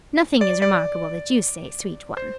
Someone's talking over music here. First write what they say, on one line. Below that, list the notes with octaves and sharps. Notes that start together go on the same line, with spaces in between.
"Nothing is remarkable that you say, sweet one!"
D5
D5
C5